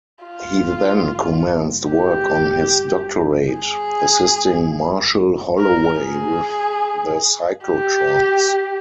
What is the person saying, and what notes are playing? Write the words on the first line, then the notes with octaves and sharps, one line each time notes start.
He then commenced work on his doctorate, assisting Marshall Holloway with the cyclotrons.
F4
G4
G#4
A#4
G#4
G4